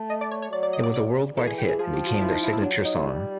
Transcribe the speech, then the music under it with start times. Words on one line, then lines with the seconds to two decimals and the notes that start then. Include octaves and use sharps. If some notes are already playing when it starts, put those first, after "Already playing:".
It was a worldwide hit and became their signature song.
Already playing: A3
0.10 D#5
0.21 D5
0.31 C#5
0.42 C#5
0.52 F#3 D5
0.63 D5
0.73 D#5
0.83 D5
0.94 D5
1.37 E3 A4
1.47 G#4
1.58 G4
1.69 G#4
1.79 F3 G#4
1.93 G4
2.07 F#4
2.21 E4
2.32 D#4
2.43 E4
2.53 E4
2.63 F#3 D4
2.85 D#4
3.06 G3